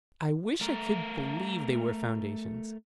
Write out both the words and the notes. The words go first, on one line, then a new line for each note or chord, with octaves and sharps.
"I wish I could believe they were foundations."
A3 A#4